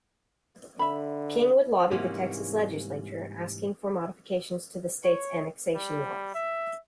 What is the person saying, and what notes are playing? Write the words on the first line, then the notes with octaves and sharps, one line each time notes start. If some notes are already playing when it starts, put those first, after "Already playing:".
Kingwood lobbied the Texas Legislature, asking for modifications to the state's annexation laws.
D3 E5 B5
G#2 C3 E3 G3 A#3 C#4
C#5
G3
E5